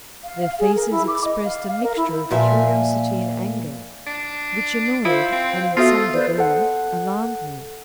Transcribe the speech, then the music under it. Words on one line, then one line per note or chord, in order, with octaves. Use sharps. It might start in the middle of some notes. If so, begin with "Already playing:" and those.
Their faces expressed a mixture of curiosity and anger, which annoyed and in some degree alarmed me.
F5
F5
G#4
A#4
E4
D6
D#5
F5
F5
A#4
E4
A#2 F3 E5 F5 G#5
D4
E4 F4 C5 F5
C4
B3 F4 F#4 A4 E5 D#6
B4 C5 D5
A4 F#5